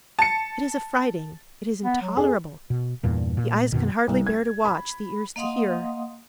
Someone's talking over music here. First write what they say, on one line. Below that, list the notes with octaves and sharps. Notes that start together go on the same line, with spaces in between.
It is affrighting, it is intolerable! the eyes can hardly bear to watch, the ears to hear!
A5 C#7
B3
F#3
F2 G#4
B2
E2 G2 A#2
A#2
F#2 B2 D#3
C2
G#6
B5
A#3 D#5 F5 F#5 C6 D#6